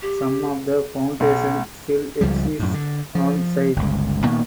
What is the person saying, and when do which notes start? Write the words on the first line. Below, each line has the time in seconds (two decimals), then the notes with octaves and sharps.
Some of the foundations still exist onsite.
0.02 G4
1.20 B1
2.21 C#2 F3 G3
2.59 F#2 A2
2.74 D3
3.15 F3
3.76 G1 C#2
4.23 A#2 D#3 A#3 B3